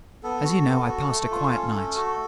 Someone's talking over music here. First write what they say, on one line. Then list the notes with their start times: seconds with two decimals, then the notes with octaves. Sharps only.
As you know, I passed a quiet night.
0.23 B3 A4
0.45 F#4
0.67 B3
0.88 F#4
1.10 A3
1.31 F4
1.53 C#4
1.74 A3
1.96 F#4